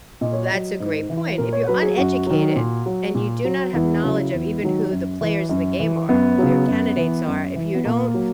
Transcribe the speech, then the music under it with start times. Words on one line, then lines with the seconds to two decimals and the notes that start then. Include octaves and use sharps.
That's a great point. If you're uneducated and you do not have knowledge of even who the players in the game are, who your candidates are, if you don't
0.21 A#2 D#5
0.33 C#5
0.44 D#5
0.51 F#3
0.80 G#2
1.10 E3
1.38 A#2 A#4
1.53 C#5
1.67 F#3 B4
1.82 G#4
1.97 F#2 F#4
2.26 D#3 F#3
2.56 A#2
2.86 F#3
3.15 A#2
3.45 F#3
3.73 E2 E4
4.04 C#3 F#3
4.33 E2
4.62 D#3 F#3
4.91 F#2
5.21 E3
5.49 F#2
5.80 E3
6.09 F#2 B3
6.38 C#3 F#3
6.68 F#2
6.97 E3
7.27 F#2
7.55 E3
7.74 B3
7.85 A#2 A#3
8.14 F#3